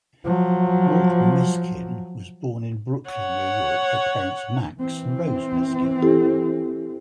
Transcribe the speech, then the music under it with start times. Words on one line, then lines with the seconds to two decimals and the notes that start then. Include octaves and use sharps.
Mort Meskin was born in Brooklyn, New York to parents Max and Rose Meskin.
0.24 F3 F#3
3.10 C#5 F#5
4.76 E3 C4
6.02 E4 G4 A4